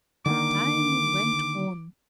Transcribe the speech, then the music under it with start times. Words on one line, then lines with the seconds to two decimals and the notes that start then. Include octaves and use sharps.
Time went on.
0.26 D3 D#3 A#3 D6